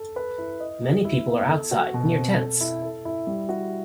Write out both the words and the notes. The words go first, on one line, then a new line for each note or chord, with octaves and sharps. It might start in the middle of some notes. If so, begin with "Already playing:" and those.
Many people are outside near tents.
Already playing: A4
B4
E4
D#5
G4
E4
B3
A4
F#4
B2
C4
A4
E4
A4
E4
G3
F#4